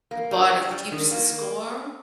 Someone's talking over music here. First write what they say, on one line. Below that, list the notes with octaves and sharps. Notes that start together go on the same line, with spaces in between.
The Body Keeps the Score?
A#3
G3
G3
G3
D#3
A#3